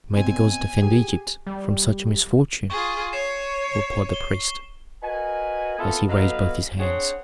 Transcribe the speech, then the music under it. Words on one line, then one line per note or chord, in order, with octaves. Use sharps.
"May the gods defend Egypt from such a misfortune!" replied the priest, as he raised both his hands.
B2 C4 G#5
G4 G#4
G3
F4 G#4 C#6
C#5 C7 E7
G7
F#4 A#4 B4 D#5 G#5
B3 C4 E4 F4 A4
F#3 B3 D#4 A4 B4 F5
C4 D4 G#4 C#5 F#5